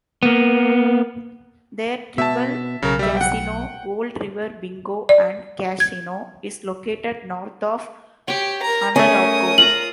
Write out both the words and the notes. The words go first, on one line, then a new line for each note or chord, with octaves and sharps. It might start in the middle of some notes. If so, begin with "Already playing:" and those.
Their tribal casino, Gold River Bingo and Casino, is located north of Anadarko.
A#3 B3
B2 E5 A5
B1 C#3 A#4
G3 E5
F#5 G5
D5
G#6
G4 C#5 G5
A#4 A#5
A3 C#4 G#4 A#4 D#6
F4 A#5 F#7